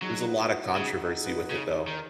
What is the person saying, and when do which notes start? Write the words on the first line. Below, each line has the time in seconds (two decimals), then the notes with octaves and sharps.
there's a lot of controversy with it though.
0.02 F#3 D#4 G#4
0.27 F#4 B4
0.51 F#4 B4
0.76 C#3 D#4 G#4
0.94 F#4
1.01 D#4 G#4
1.26 F#4 B4
1.44 B4
1.50 C#3 D#4 G#4
1.88 D#3